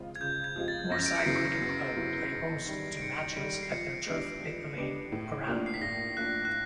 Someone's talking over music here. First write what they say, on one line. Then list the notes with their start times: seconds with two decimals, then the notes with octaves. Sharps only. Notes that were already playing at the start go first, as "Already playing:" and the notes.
Moorside Cricket Club play host to matches at their Turf Pit Lane ground.
Already playing: C#3 F3 G#3 C4 F4
0.16 G#6
0.21 C#3 G6
0.44 G#6
0.56 F3 G#3 C4 F4
0.68 A6
0.91 F#2 A#6
1.06 D7
1.16 C#7
1.26 C#3 F#3 B3 E4 C7
1.61 F#2 C7
1.97 C#3 F#3 B3 E4
2.31 G#2
2.66 D#3 G3
2.97 D7
3.01 G#2 C#7
3.36 D#3 G3 D7
3.63 C7
3.71 F3 C#7
4.06 G#3 B3 D4 G4
4.41 F3
4.76 G#3 B3 D4 G4
5.12 A2
5.47 F3 A#3 D4
5.66 C7
5.74 B6
5.82 A2 A#6
6.17 F3 A#3 D4 F#6
6.45 F#6